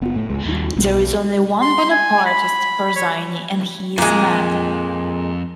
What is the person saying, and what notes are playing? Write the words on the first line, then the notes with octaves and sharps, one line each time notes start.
There is only one Bonapartist, Persigny - and he is mad!
F#1 B3
A2 A3
C#2 G#3
D#2 G3
B1
C6
G#5
B5
C#5
F2 A#2 G#3